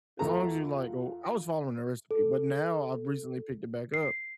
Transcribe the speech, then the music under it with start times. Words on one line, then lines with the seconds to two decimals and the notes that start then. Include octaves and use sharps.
as long as you like, oh I was following a recipe, but now I've recently picked it back up
0.19 E2 A3 F4 A#5
2.11 A4
3.94 C7